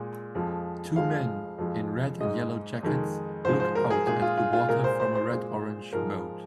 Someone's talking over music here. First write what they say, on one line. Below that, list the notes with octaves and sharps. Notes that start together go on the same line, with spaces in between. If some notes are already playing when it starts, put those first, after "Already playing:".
Two men in red and yellow jackets look out at the water from a redorange boat.
Already playing: A#2 G#3
F2 F3 G#3
F2 F3 G#3 F5
F2 F3 G#3
G#2 G#3 D#5
F2 D#3 G#3
G#2 F3 G#3 C5
C5
A#4
G#4
A#2 G#3 G#4
F4
F4
F4
A#2 G#3 A#4
C5
C5
C5
A#2 G#3
G#2 F3 G#3 A#4